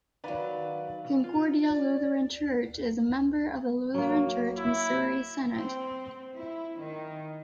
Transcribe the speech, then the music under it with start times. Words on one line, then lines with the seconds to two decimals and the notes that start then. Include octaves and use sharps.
Concordia Lutheran Church is a member of the Lutheran Church-Missouri Synod.
0.24 D#3 F#3 B4 D5 F5
1.05 B2
1.24 F4
1.64 D5
3.94 F#3 A#3
4.57 E4
5.53 C4
6.35 E4
6.77 D#3